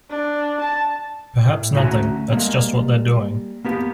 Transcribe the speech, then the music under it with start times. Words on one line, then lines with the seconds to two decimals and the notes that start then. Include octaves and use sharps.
Perhaps nothing-that's just what they're doing.
0.10 D4
0.60 A5
1.47 A2
1.74 D2 A3 C#4 F#4 G#5 A#5
2.30 G3 G#3 A#3
3.65 A#3 B3 G4